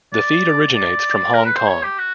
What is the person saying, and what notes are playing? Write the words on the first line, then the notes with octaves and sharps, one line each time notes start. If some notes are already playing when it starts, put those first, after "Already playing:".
The feed originates from Hong Kong.
D5
D5
A#4
B4
C5
C#5
G4
F#4